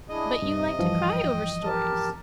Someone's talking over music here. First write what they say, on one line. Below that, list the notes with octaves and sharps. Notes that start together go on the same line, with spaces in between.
"But you like to cry over stories?"
D4 E4 G#4 D#5
G2 C3
G2 E3 F3
G5
G4 A#4 A5